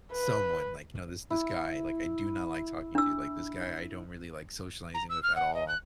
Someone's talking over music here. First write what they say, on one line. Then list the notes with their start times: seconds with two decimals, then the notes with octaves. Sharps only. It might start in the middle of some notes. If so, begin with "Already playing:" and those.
someone, like you know, this this guy, like, I do not like talking to you. Like, this guy, I don't really like socializing with at all.
0.13 B4
1.30 E4
2.95 D4 E6
4.94 A#5
5.10 E6
5.23 F6
5.36 F#5
5.55 D#5
5.68 F#6